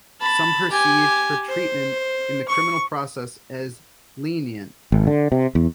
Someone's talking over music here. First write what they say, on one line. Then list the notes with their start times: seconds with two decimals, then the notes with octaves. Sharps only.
Some perceived her treatment in the criminal process as lenient.
0.21 A5 B5
0.71 G4 G#5
1.49 C5
2.48 C#6
4.92 G#1
5.07 D3
5.32 C3
5.55 E2